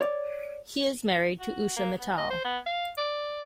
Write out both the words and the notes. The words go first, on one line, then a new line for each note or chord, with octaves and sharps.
He is married to Usha Mittal.
C#5 D5
F#4
A#3
B3
D#5
C5
B3
F5
D5